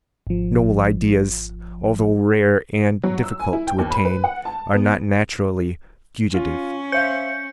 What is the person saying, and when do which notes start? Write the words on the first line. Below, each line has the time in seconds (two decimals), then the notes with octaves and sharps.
Noble ideas, although rare and difficult to attain, are not naturally fugitive.
0.27 G#1 F3
3.03 F#3
3.24 E6
3.40 G#5
3.53 E4
3.67 G5
3.78 D#2
3.90 B5
4.05 B4
4.24 F#5
4.45 A5
4.74 B3
6.34 C#4 F4 F5
6.92 C5 E5 F5 G6 C#7